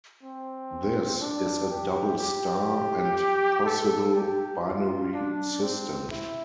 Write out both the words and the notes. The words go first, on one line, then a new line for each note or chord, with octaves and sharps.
This is a double star and possible binary system.
C4
D4
G4
G4
A4
G4
F4
D4
C4
E4